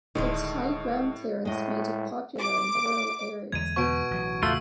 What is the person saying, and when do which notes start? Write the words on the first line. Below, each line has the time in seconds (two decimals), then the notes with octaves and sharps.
Its high ground clearance made it popular in rural areas.
0.15 D1 A2 D3 D#3 G#3 D#4
1.45 A2 G#3 D#5
2.39 D6
3.52 E2 D3 G#3 G#6 D#7
3.76 B2 C#6 D7
4.11 A1 F#3
4.43 A1 E2 C#3 A3 F4 E6